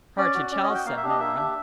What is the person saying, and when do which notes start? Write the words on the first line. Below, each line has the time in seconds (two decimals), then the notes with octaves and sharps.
"Hard to tell," said Nora.
0.17 C#4 D5
0.35 F#4
0.52 C#4 D5
0.63 D#5
0.69 F#4
0.75 G5
0.86 A#3 F5
0.97 E5
1.03 D4 G4
1.09 D#5
1.20 A#3 E5
1.37 D4 G4